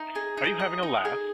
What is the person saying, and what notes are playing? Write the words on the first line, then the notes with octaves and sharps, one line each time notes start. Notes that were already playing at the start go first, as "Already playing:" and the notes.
Are you having a laugh?
Already playing: D#4
G#4
D#4
D#5
D#4
G#4